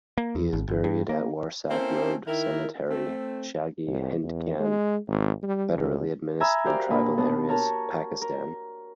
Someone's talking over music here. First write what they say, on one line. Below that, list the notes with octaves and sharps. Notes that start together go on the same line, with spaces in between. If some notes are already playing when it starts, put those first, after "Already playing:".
He is buried at Warsak Road Cemetery, Shagi Hindkyan, Federally Administered Tribal Areas, Pakistan.
A#3
E2
G#1
G1
G2
A#3
A#3 C4 C#4 E4 A4 C5
D#3 E4 A#4
A3 C4
C2
E2
G#3
G#1
G3
C#2
E5 G#5 A#5 B5 D#6 E6
F#4 G4 A#4 C5 D5 F5
A#2 D4 A#4 B4 B5 D#6
B2 B3 D4
F#4 A#4 C#5 A5 A#5
A#4